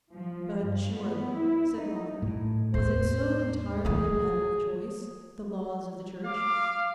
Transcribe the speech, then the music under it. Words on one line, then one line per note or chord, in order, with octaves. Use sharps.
'But, surely,' said Lawford, 'was it so entirely a matter of choice--the laws of the Church?
F3
G2
B3
E4
D#4
A2
E2 C5
E3 E4 G#4
F5 D6